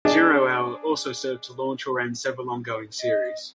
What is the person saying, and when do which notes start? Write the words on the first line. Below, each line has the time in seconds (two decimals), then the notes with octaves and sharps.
"Zero Hour" also served to launch or end several ongoing series.
0.05 D4 G#4 D#5
2.99 D#5